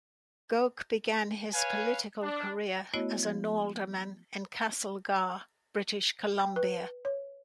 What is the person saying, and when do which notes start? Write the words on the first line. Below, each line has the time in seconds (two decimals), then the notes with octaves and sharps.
Gouk began his political career as an alderman in Castlegar, British Columbia.
1.53 B4 C#5 F5 G#5
2.23 D4
2.94 A3 B3 E4 F#4 C#5 D#5
3.23 F3
6.39 G5
6.56 B4
7.05 C#5